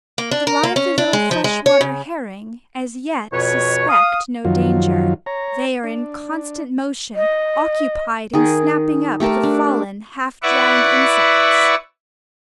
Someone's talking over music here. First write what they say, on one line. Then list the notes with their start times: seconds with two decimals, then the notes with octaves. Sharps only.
The lively little freshwater herring as yet suspect no danger; they are in constant motion, occupied in snapping up the fallen, half-drowned insects.
0.18 A#3
0.31 D4
0.47 A#4
0.63 A#3
0.76 C#4
0.98 D4
1.13 G#3
1.31 F3
1.44 G#3
1.66 C#5
1.81 C#3
3.33 F2 B2 B4 C#5
3.89 F5 D#6
4.45 F#2 D#3 F3 F#3 F4
5.26 C#5 A#5
5.84 D4
7.15 D#5
8.33 D#3 G#4
9.20 A3 G4 A#4 A5
9.43 D4
10.43 E4 B4 D5 E5 F#5 C#6